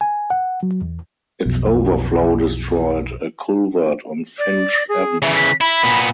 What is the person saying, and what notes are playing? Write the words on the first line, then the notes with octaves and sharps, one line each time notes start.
Its overflow destroyed a culvert on Finch Avenue.
G#5
F#5
F#3
E2
B1 F2 B2
D5
G#4
C#3 E3 E5
B6
E4 B5
A#2 B3